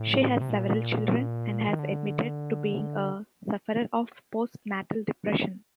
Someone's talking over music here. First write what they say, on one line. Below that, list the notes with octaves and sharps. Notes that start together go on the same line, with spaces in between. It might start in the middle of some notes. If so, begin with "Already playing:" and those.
She has several children and has admitted to being a sufferer of post-natal depression.
Already playing: A2
C3
A#2
D#3
D3